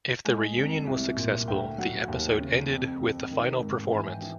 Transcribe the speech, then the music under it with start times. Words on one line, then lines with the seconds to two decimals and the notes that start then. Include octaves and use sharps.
If the reunion was successful, the episode ended with the final performance.
0.25 G#3 G#5
0.56 F2
0.87 C2
1.16 A#2
1.48 D2 G5
1.78 F#3 F#5
2.08 D#2
2.39 C#3
2.70 F2
3.00 F2
3.31 D#3
3.61 G#2
3.92 E3 G#5
4.13 G5
4.22 E3